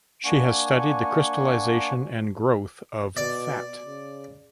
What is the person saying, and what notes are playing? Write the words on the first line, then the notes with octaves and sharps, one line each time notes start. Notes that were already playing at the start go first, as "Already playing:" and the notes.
She has studied the crystallisation and growth of fat.
A#3 D4 F#5 G#5 C#6
B2 D5
C#3